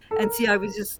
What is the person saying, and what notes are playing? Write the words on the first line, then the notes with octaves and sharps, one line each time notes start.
and see, I was just
A4
A#4